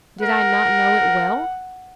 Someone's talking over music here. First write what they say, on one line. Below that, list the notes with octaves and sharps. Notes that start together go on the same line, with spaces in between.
Did I not know it well?
A#4 F#5